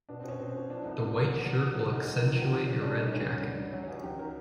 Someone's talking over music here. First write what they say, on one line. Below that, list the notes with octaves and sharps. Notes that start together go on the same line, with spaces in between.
The white shirt will accentuate your red jacket.
B2 D4
C4
B2 C#4
B2 C4
B2 C#4
F3 D4
E4
C2 D#4
C3 D4
C2
F#3
F#3
D3
F#3
D2 D#4
F#3 D#4
F#3 E4
F4
F#3 G4
G#2 F4
G#2 C#4
G3 D4
G3 D#4
D4
D2 C#4
D3
G3
D3
F#3 C#4
C#4
C#2
C#4
F#3 G4
D#3 A#4